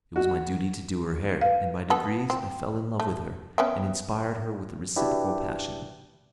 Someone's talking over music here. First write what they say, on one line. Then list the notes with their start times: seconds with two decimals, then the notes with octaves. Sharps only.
It was my duty to do her hair, and by degrees I fell in love with her, and inspired her with a reciprocal passion.
0.16 F#4
1.41 B4 F5
1.90 B3 A4
2.30 C4
3.00 A3
3.58 B3 C#4 E5 G5
4.96 D4 E4 F#4 G4 B4 D5